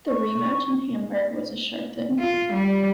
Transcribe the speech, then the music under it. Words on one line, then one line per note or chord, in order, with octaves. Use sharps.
The rematch in Hamburg was a sure thing.
C#6
F4
G3